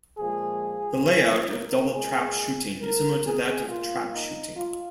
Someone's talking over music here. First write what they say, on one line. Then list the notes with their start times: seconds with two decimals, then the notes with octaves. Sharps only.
The layout of double trap shooting is similar to that of trap shooting.
0.18 A#2 F3 G#3 G#4
1.50 A#4
1.93 A#2 G#3 G#4
2.81 A#4
3.25 G#4
3.68 A#2 A#3 F4
4.13 D#4
4.56 F4